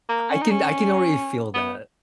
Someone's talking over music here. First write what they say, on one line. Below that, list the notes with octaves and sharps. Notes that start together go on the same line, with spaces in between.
I can I can already feel that.
A#3
C#4
D#4
C#4
B3